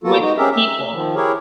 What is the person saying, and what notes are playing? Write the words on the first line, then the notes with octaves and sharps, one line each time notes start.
with people,
A#3 B3 F4 F#4 A4
G#3 D#4 F#4
C4 C#4 G4 G#4 A#4 E5
E5
D#3 F3
E4 G4 G#4 A#4 C#5